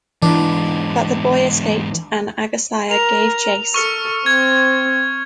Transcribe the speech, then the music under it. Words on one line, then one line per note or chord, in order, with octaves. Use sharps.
But the boy escaped and Agasthya gave chase.
E2 G#2 E3 D4
A#4 F7
A4 C#6 F6 C#7
C4 G#6